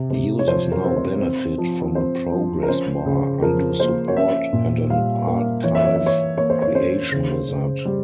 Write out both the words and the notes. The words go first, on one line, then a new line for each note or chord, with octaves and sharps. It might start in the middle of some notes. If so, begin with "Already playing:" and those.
Users now benefit from a progress bar, undo support, and an archive creation wizard.
Already playing: C3
C3
C#5
F3 C5
A#4
C4
C5
C4
F3
C4 C5
F3
A#4
C#4 C5
C#3
F3 A#4
A#3 C5
C#5
C#4 E5
A#2
G3 F5
A#3
E3 C#5
E5
C#5
E5
E3
C#5
A#3 C#5
C5
C#5
C#4 C5
C#3
C#3
G3